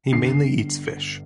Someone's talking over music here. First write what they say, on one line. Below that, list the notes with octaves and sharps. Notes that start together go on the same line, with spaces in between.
He mainly eats fish.
G1 G2 D3 C7